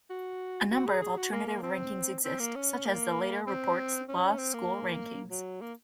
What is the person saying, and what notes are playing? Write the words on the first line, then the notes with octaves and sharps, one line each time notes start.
A number of alternative rankings exist, such as the Leiter Reports Law School Rankings.
F#4
F#4
G#4
G#4
F#4
A#3
A#3
C4
C4
A#3
C#4
A#3
C4
C#4
C4
A#3
F#3
A#3